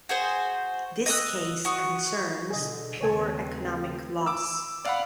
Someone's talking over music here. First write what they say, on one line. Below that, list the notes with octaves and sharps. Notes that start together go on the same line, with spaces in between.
This case concerns pure economic loss.
F#4 G#4 C5
D#5 E6 F#6
F#4 C#6 D#6
B2 D3 G#4 D#5
D#2 C#3 A3 C4 B4 C#5 G#5 A5
D6 E6
D5 F5 F#5 B5